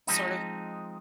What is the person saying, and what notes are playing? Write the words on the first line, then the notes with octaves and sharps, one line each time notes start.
sort of
F3 G#3 C4 D#4